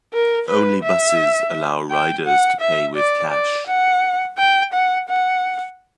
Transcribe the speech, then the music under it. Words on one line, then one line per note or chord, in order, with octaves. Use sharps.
Only buses allow riders to pay with cash.
A#4
B4
E5
G5
F#5
E5
D5
D5
F#5
G5
F#5
F#5